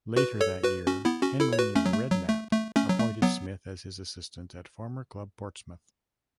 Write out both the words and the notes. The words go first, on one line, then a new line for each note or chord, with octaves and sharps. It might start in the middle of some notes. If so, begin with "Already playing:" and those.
Later that year, Harry Redknapp appointed Smith as his assistant at former club Portsmouth.
F#4 B4
A4 C#5
F#4 B4
C#4 F#4
B3 E4
C#4 F#4
E4 A4
C#5
F#4 B4
A3 C#4
F#3
A3
F#3
A3
A3
A3 C#4
F#3
A3
F#3 B3